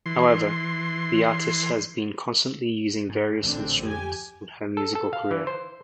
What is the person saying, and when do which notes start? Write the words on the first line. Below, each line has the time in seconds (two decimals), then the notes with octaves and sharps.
However, the artist has been constantly using various instruments in her musical career.
0.06 E3 C6
3.09 G#2
3.43 A1 A#2 D3 C4 D4
3.82 F2 G4 G#5
4.77 A4
4.95 A4
5.13 F5
5.31 E3
5.47 C5